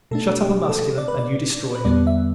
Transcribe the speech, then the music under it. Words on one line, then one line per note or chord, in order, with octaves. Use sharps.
Shut up a Muscular and you destroy him.
B2 A3 D4 A4
G4
A4
D5
B4
D5
B4
E2 D3 G3 B3 D5
E5